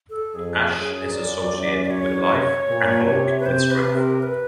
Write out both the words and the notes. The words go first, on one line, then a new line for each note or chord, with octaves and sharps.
Ash is associated with life and oak with strength.
A4
F2 G#4
F#2
D5
C#5
A#2
C3
B4
C3 C5
B4
C3
A#4
B4